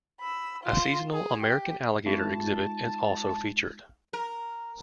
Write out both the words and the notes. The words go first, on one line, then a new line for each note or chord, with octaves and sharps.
A seasonal, American Alligator Exhibit is also featured.
B5 E6
F4 C6
G#4
G4
G#3 D#4 F4 A5
A#4